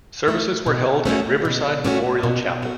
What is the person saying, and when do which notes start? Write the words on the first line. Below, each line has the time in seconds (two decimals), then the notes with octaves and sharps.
Services were held at Riverside Memorial Chapel.
0.28 A3 E4
0.66 B2
1.05 A3 C#4 F#4
1.45 B2
1.84 A3 C#4 F#4
2.23 B2
2.62 F#4